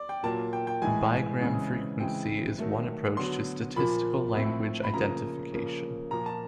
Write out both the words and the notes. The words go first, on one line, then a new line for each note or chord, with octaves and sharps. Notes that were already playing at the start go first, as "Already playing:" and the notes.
Bigram frequency is one approach to statistical language identification.
Already playing: D5
G5
A#2 F#3 A#3 A5
G5
G5
A2 E3 G#3 G#5
C#3 E3 G#3 C4
C#3 E3 G#3 C4 G5
D#3 F#3 A3
D3 F#3 B3 C6
A#2 F3 A#3 B5
A2 F3 A3 C4
B5
C#3 F3 A#3 A#5
C#3 F3 A#3
A#2 F3 A#3 A#5
A5